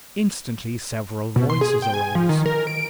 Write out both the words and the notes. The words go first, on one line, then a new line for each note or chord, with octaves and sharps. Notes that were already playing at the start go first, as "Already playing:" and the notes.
Instantly, several voices arose.
B2
C6
G#4
G5
G#5
F3
D#3
A#4
D7